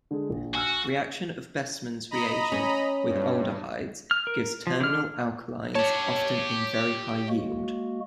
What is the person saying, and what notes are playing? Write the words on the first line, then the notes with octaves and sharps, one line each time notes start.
Reaction of Bestmann's reagent with aldehydes gives terminal alkynes often in very high yield.
D3 G#3 G#4
A#1
F#4 G#5 E6 F6
D#5 A#5 B5
C#4
G2
F6
A#4
F3
D3 F6
G4 C#5 A5
G#3 A#3 F#4